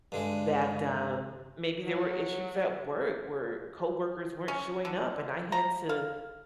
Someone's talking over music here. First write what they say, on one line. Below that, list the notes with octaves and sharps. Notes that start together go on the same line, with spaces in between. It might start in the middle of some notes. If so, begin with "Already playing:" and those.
that, um Maybe there were issues at work where coworkers weren't showing up and I had to
G2 D3 G#3
F#3
C#4
D3
A#5
F5